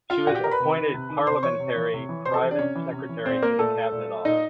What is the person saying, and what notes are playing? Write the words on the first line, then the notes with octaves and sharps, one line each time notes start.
She was appointed Parliamentary Private Secretary to the Cabinet Office.
F4 F5
A#2 F#4 F#5
G4 G5
A#4 A#5
B4 B5
C3
D#3
C3
D#3
C3 C5 C6
E3 C#5 C#6
C3
E3
C3
E3
C3 C5 C6
A4 A5
E3
D4 D5
C3 C#4 C#5
E3
C3
E3
A#2 C4 C5
A#3 A#4
A#2 A3 A4
A#2
A#2 D#4 D#5